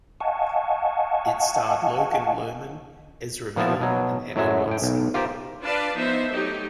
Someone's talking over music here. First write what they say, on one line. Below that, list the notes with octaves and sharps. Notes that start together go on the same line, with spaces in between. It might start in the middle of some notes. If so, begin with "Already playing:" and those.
It starred Logan Lerman, Ezra Miller, and Emma Watson.
D#5 F5 F#5 G#5 A5 C#6
A#2 F3 B3 E4 A5
B2 F#3
F#2 A2 F#3 G#3 E5
A2 G5
B1
F4 G4 A#4 C5
D4 F4 B4 D5 F5 A5
F3 B3 D#4 C5 E5
F#3 A3 D#4 G4